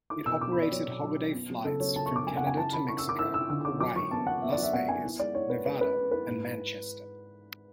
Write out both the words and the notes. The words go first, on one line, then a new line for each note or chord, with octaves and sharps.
It operated holiday flights from Canada to Mexico, Hawaii, Las Vegas, Nevada and Manchester.
E4 D6
B2 E6
B2 D6
B5
B2
D5
F#3 C#5
B2
F#3
C#4
B3
F#3
C#3 A4
F#3 C#5
C#3 A5
C#6
B3
D6
F#3 G#5
F#5
C#3
G#5
E4 A5
C#4 B5
E4 C#6
E6
E4
D6
E4 E6
E4 E6
D3 E6
C#4 D6
F#3 D6
F#3 C#6
B3 A5
B3 F#5
B3 E5
D5
F#3
E5
B3 F#5
B3 G#5
E4
G#3 D5
E4 C#5
E4 B4
G#3 B4
C#4 B4
C#4
E4 B4
G#2